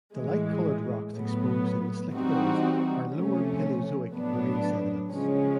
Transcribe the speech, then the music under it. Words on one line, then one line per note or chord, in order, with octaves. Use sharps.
The light-colored rocks exposed in the Slick Hills are lower Paleozoic marine sediments.
A2 E3 G#3
A2 F#3 B3
E3 G3 C4 D#4 F#4
C3 F3 A3 C#4
A2 F#3 B3 D4
C#3 F3 G#3 C#4